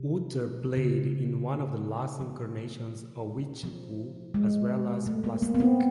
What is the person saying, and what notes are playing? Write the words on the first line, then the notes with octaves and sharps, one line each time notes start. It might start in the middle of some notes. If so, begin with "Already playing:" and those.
Utter played in one of the last incarnations of Witchypoo, as well as Plastique.
Already playing: C3
C#3
F3
F3
G#3
A3
A#3
A#3
B3
C4